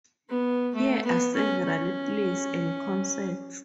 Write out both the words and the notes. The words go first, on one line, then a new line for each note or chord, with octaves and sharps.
Here are several plays and concerts.
B3
A3
B3
C#4
C#4